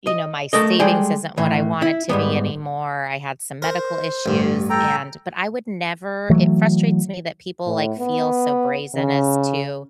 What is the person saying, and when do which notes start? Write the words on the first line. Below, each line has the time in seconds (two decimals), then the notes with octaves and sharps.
you know, my savings isn't what I want it to be anymore, I had some medical issues and but I would never it frustrates me that people, like, feel so brazen as to
0.07 D#5
0.53 A3 A4 A#4 D#5
0.79 G3 G#3 G#4 A4 G5
1.37 A2 E3
1.82 E4
2.09 G#2 G3 B3
3.62 A#4 C5
4.26 A1 G2
4.70 A4 G5 A#5
6.30 E3 F#3 A3
7.67 A2
7.99 B3
8.95 C#3